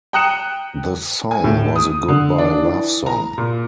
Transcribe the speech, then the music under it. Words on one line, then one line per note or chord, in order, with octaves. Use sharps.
The song was a goodbye love song.
G5 A#5 D#6 F#6 C#7 E7
G#5
A2
D#6
D3
D4
E3
A#5
A#2